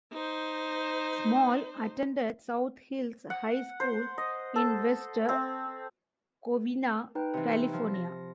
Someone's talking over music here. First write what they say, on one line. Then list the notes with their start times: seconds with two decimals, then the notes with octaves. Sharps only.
Small attended South Hills High School in West Covina, California.
0.12 D#4 C5
3.30 F#5
3.80 C5
4.18 D#5
4.56 A4
5.29 C4
7.15 D#4 B4 G5
7.34 C3 E3
7.74 F3
7.94 A#6